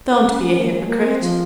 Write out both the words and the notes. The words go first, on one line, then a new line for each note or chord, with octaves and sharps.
'Don't be a hypocrite.
C#4
C#4
C#4
A#3
G#3
A#3
C4
F3